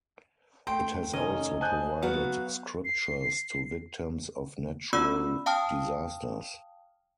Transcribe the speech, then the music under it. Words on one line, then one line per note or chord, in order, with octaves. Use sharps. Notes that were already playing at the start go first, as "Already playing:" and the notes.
It has also provided Scriptures to victims of natural disasters.
A3 G5 C6
F1 D#3 C#4 D#5 G#5
C5 G#5 A5 D#6 F#6 G6
F#3 B3 F#4 B4 F5 F#5
C7
B3 C#4 F4 D5 B5 E6
F5 G5 A5 D#6 F6